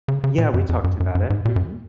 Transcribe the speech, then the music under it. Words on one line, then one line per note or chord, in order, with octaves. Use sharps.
Yeah, we talked about it. Mhm.
C#3
C#3
A#2
F#2
F2
F#2
F#2
F#2
G#2
A#2
F#2